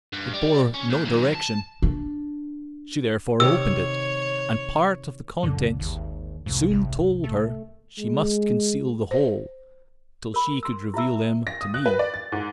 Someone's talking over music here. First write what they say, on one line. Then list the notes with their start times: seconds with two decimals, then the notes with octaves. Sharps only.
It bore no direction; she therefore opened it, and part of the contents soon told her she must conceal the whole, till she could reveal them to me.
0.13 G2
0.34 G3
0.74 C#4
0.91 A#2
1.06 D#3 F#3
1.34 A5
1.82 D4
3.40 C3 D#3 C#5 E6
5.43 C#2 F#2 A#2 D3
5.80 G#1 D#2
6.46 C2 F2 G#2
6.71 G#1
7.24 A3
7.99 G#3
9.11 C5
10.34 A#4 B5
10.63 C6 E6
10.94 E4 F4 E5 E6
11.47 A#6
11.61 D#6
11.74 F#6
11.86 B4
11.99 D5
12.14 A6
12.32 G#2